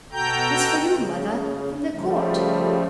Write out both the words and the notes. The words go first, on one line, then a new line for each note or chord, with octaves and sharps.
"It is for you, mother--from the Court."
B2 F#4 A4 G5 A#5 G6
C#3
C#3 F3 G3 A3